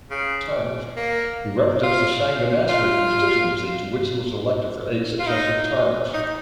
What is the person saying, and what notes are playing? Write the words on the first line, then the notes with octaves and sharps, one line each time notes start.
He represents the Changanassery constituency to which he was elected for eighth successive terms.
C#3
A#3
F4
F4
F4
D#4
D#4